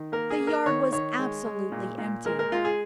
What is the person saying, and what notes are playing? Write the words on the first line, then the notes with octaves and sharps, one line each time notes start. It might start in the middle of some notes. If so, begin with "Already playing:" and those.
The yard was absolutely empty.
Already playing: D#3
A#3 A#4
G#4
A#3
A#4
D#3 C#5
D#3 C#5
G#3
G#3
A#2
A#2
G#3 A#4
A#4
G#3 F4
G#4